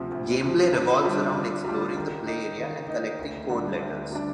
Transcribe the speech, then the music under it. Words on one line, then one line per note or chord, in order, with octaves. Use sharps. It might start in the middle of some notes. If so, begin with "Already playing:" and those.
Gameplay revolves around exploring the play-area and collecting code-letters.
Already playing: D2 C3 F3
D2
C3 F3
D3
G3 D4 F4
D3
G3 D4 F4
D#3
A#3 D#4
D#3
A#3 D#4
D2
D3 G3 D4
D2
D3 G3 D4